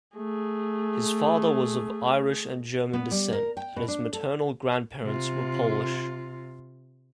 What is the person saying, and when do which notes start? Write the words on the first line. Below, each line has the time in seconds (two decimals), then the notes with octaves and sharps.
His father was of Irish and German descent, and his maternal grandparents were Polish.
0.17 A3 G#4
2.93 B3
3.11 G3
3.33 A#4
3.57 G5
3.76 B2
3.88 D4
4.13 A4
5.03 C3 F4